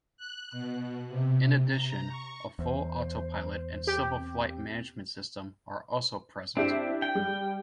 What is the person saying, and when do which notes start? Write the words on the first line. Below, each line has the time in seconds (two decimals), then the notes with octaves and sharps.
In addition, a full autopilot and civil flight management system are also present.
0.17 F#6
0.52 B2
1.08 C3
1.68 A#5
2.09 C#6
2.59 E2 C5
3.87 G4 G5
4.18 C4
6.57 C4 D4 E4 G4
7.02 G5
7.15 G3